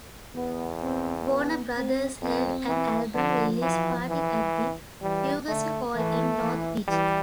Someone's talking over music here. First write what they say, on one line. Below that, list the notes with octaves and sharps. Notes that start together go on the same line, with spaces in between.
Warner Brothers held an album release party at the Fugazi Hall in North Beach.
E2 B3
C4
B3
C4
F2 C4
E3
D3 F3
E3
E3
E3 G3
D3 A3
E3 A3
E3
E3 G3